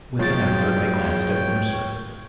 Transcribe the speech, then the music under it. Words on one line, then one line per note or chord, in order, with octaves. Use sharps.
With an effort I glanced at Mercer.
F3 F#3 G#3 C#5 G5 A6